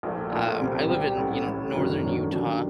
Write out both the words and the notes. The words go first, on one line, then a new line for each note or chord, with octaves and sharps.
um, I live in, you know, northern Utah,
A#1 A#2 A3
A#1 A#2 A3
C2 C3 G3 C4 G4
C2 C3 G3 C4 G4
A1 A2 A3
A1 A2 A3
F#2 D#3 F#3 A3 D4
F#2 D#3 F#3 A3 D4
F#2 D#3 G3 D4